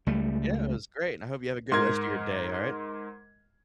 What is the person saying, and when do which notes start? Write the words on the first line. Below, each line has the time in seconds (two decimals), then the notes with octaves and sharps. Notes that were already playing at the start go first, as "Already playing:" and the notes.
Yeah, it was great, and I hope you have a good rest of your day, alright?
0.07 C#2 G3 A3
1.72 G#2 A#4 C6 G#6